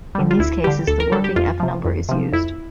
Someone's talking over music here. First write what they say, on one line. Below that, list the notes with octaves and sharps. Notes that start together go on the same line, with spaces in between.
In these cases the working f-number is used.
D3 G3
F4
D2 E4
D3 G3 G4
D2 A4
A#4
D3 G3 A4
G4
F2 F4
C3 F3
F2
C3 F3
F2 E4